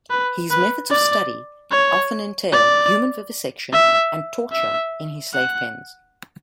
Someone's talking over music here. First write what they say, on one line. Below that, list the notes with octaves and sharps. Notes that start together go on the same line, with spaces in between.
His methods of study often entail human vivisection and torture in his slave pens.
B4
B4
D5
C#5
D5
E5
E5
F#5